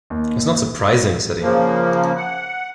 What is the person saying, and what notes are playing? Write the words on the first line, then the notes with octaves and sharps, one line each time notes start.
"It is not surprising," said he.
D#2
C#3 F3 A#3
F#5